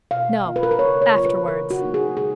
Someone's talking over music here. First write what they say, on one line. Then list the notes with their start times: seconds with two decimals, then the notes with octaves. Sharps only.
"No, afterwards."
0.11 B2 F5
0.45 A#3 F4
0.56 B4
0.63 A#4
0.71 B4
0.79 C#3 C#5
1.02 C#5
1.14 F#3 A#3 F4
1.26 B4
1.48 C#3 A#4
1.70 F#4
1.82 F#3 A#3 D#4
1.94 G#4
2.17 C#3 G#4